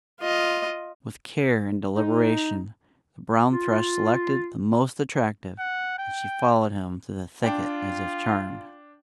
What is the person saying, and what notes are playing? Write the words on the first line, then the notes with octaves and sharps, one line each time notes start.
With care and deliberation the brown thrush selected the most attractive, and she followed him to the thicket as if charmed.
F4 D#5
D#4
F4
F#5
G5
D4 F4 G5